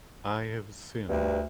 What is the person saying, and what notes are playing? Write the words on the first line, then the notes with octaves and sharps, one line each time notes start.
I have sinned.
D2 G2